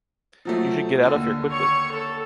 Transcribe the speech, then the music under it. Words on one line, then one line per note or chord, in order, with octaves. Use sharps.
You should get out of here quickly.
F3 F#3 A3
D#2 D3
C#5 C#6
A4